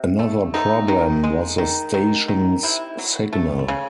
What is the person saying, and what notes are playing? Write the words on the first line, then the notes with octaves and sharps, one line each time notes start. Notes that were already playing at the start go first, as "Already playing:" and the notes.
Another problem was the station's signal.
Already playing: C3
A3
A3 D#4
D#3
G#3
D#3
D#3
D#3
C3 E4
F#3
A3
C#3